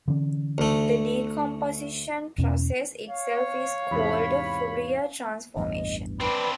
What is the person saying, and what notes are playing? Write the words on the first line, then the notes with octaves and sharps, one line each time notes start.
The decomposition process itself is called a Fourier transformation.
D3 E3 C#4
D2 A3
E2 B2 C#4
C#5 F5
E2 G#2 C3 B5
A1 E2 G2 D#5
C4 D4 B4 D5 B5